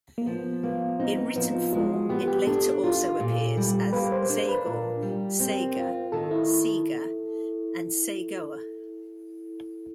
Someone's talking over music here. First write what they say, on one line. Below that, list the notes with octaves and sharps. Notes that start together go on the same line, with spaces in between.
In written form it later also appears as "Zaegor", "Sager", "Seger", and "Cagoer".
A#3
F3 B3
A#3 B3
C4 D#4
B3
F3 B3
F4
G#3 F4
F#4
B3 G4
G4
D4 A4
F4
A#2
G3
A#3 B4
C5
D4 C5
B4
A#2 A#4
G3
C4
F4
D#3 A4
E4